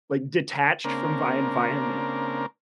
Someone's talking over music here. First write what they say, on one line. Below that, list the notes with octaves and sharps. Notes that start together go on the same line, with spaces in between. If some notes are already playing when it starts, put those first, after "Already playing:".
like, detached from my environment.
C#3 A#3 C4 D4 A#4